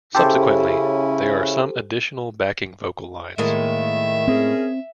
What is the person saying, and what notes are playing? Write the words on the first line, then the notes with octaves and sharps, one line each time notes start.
Subsequently, there are some additional backing vocal lines.
C#3 C#4 E4 G4 A4 C5
A2 D#3 G#3 A#3 E5
C4 C#4 G#4 A#4